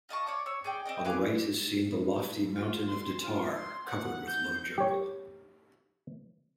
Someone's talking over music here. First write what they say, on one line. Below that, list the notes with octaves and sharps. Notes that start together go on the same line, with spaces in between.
On the right is seen the lofty mountain of Datar, covered with low jungle.
F4 D#5 A5 C#6
C#5 D5 D6
C#5 E6
G#4 D5 G5
C4 C#4 D5 D#5
B4 F5 G#5 D6
F4
C6
F4
C6
F#5
G6
G4 C#5